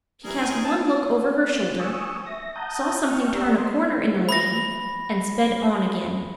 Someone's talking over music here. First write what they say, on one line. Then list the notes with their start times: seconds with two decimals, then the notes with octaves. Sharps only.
She cast one look over her shoulder, saw something turn a corner in the lane, and sped on again.
0.24 E3 G3 G#4 A#4
0.41 D2 D#4 G#5
0.64 A#3 D#4 A5
1.80 G#5 C#6 D#6 E6
2.26 E5 A#6
2.56 F#5 A5 A#5 D#6 G6
3.08 G5 C#6 F6
3.34 B3 G4 D5 A#5 E6
3.58 C5 D#5 C6
4.29 B5 A#6